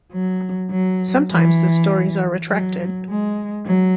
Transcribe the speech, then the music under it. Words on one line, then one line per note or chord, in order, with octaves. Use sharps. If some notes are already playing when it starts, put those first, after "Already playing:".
Sometimes the stories are retracted.
F#3
F#3
E3
F#3
G#3
F#3